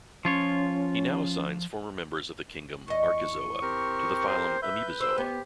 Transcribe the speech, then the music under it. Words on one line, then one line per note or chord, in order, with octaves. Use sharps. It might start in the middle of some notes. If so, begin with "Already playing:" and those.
He now assigns former members of the kingdom Archezoa to the phylum Amoebozoa.
F3 C#4 F4 C#5
E2 D#5 C#6
C4 G4 A#4
C5
B4 E5 G6
C5 E6
B3 G4